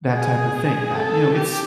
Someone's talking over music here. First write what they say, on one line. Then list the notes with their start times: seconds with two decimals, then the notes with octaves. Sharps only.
that type of thing, that, you know, it's
0.12 G#4
0.95 A4
1.36 G4